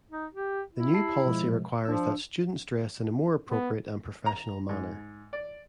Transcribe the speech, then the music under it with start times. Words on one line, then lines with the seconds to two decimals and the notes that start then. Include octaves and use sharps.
The new policy requires that students dress in a more appropriate and professional manner.
0.11 D#4
0.33 G4
0.73 E4
0.94 G4 A5 C7
1.26 B2 F3 G#3
1.85 F3 D4 E6
3.51 B3
4.26 A#5
4.69 G#2
5.33 D5